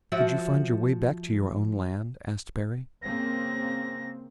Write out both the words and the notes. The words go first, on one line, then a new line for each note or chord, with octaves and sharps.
"Could you find your way back to your own land?" asked Perry.
F3 F#4 E5
C#3 A#3 C4 A#6